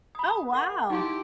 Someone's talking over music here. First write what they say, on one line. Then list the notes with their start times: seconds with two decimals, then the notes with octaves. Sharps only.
Oh, wow.
0.15 B5 D#6
0.53 A#4 F#5
0.90 D#4 E4 G4 C6 D6